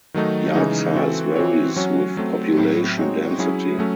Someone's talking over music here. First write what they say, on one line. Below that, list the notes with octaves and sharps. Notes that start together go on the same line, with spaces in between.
Yard size varies with population density.
D#3 F#3 A3 D#4
C#3 E3 G#3 D#4
E3 C4 F#4 A4
E3 C4 F#4 C#5
F#3 C#4 F#4 C#5
F#3 A3 C4
A2 F#3 C4
G#3 C4 D#4 F#4 C#5
F#3 C#4 E4 G#4
F#3 A3 C#4